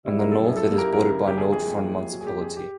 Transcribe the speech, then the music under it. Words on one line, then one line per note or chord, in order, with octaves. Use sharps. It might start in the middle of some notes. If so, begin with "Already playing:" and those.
On the north it is bordered by Nord-Fron municipality.
C#3 A#4
F#2 A4
F#2 G#4
A4
F#2
F#2 A#4
F#2 A#4
C#3
C#3 G4
D3 G#4
F2 G#4
F2
F2
F2
F#3
G#4
F2 G4
F2 G#4
G4